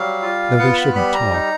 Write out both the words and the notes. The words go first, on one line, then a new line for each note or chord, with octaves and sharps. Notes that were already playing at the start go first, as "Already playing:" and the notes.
Though they shouldn't talk.
Already playing: F#3 G3 F5
F4
B3 F#5
B5
G3 B5
A#5
D#4